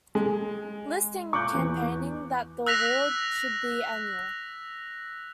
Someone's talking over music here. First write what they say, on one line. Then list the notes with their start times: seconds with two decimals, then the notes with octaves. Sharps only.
List in campaigning that the award should be annual.
0.15 G#3
1.33 C#6 D6 F#6 G6
1.55 E2
2.67 E6 F#6 A#6 B6 F7